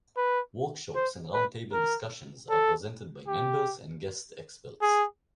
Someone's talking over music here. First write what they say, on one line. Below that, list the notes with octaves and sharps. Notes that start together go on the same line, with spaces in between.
Workshops and roundtable discussions are presented by members and guest experts.
B4
C5
B4
A#4
A4
G4
G#4